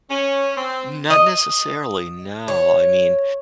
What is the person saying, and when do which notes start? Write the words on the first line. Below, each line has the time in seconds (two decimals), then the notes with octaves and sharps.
Not necessarily, no, I mean,
0.10 C#4
0.57 C4
1.10 D#5
2.48 C#5